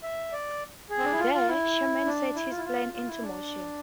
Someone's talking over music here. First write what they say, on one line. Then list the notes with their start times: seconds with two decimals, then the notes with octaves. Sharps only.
There, Sherman sets his plan into motion.
0.03 E5
0.32 D5
0.90 G#4
0.98 C4
1.05 D4
1.12 E4
1.19 F4
1.34 F4
1.48 E4
2.06 D4
2.35 E4
2.50 F4
2.57 E4
2.64 F4
2.93 F4
3.08 E4
3.22 D4